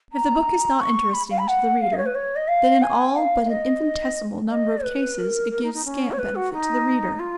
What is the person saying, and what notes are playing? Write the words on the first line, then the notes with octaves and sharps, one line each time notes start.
If the book is not interesting to the reader, then in all but an infinitesimal number of cases it gives scant benefit to the reader.
A#5
C#6
B5
F5
B5
F#5
F5
D#5
C#5
B4
C#5
D#5
F5
G#5
F5
F5
D#5
D#5
B4
A#4
A#4
D#4
D#4
C#4
C#5
B4
F#4
D#4
F4